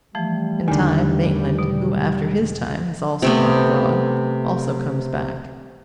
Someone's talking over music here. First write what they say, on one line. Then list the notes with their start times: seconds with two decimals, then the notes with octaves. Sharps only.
In time, Maitland, who, after his time, has also gone abroad, also comes back.
0.15 E3 F3 G3 A3
0.68 E2 D3 D#3
1.59 B2
3.22 C3 A3 B3